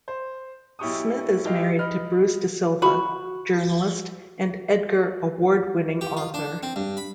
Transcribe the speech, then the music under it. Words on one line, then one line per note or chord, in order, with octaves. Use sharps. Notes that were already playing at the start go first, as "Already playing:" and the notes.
Smith is married to Bruce DeSilva, journalist and Edgar Award-winning author.
C5
B1 E4 G4 C#6 D#6
E4 F4 G4 D#5 F5
D#5 B5 F6
F#4 B5
G4
F4
D4
C4
G2
B5